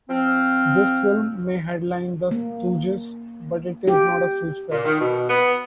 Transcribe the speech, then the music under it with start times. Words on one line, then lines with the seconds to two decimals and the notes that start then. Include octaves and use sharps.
This film may headline the Stooges, but it is not a Stooge film.
0.10 F3 C4 F6
2.31 A#3
3.87 G4
4.72 A#2
4.85 D#3
5.00 B2
5.29 B3